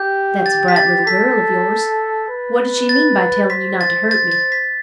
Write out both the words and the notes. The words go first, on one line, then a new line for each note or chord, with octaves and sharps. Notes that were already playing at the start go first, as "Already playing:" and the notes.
"That's a bright little girl of yours--What did she mean by telling you not to hurt me?"
Already playing: G4 G6
A6
B6
A6
A4 B6
B4
A6
C5 B6
A6
A6
A6
B6